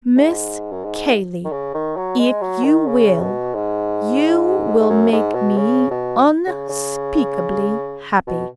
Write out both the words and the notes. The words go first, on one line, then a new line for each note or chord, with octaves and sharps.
'Miss Cayley, if you will, you will make me unspeakably happy.'
G#2
F#2
G#2
D#3
C#3
D#3
F#3
G#3
F#3
D#3
C#3
B2
G#2
G#2
F#2
G#2
B2
C#3
B2
C#3
C#3
B2